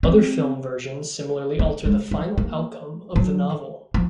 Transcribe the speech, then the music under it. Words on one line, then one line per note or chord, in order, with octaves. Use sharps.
Other film versions similarly alter the final outcome of the novel.
C4
A#3
G#3
F#3
A#3
F#3
F3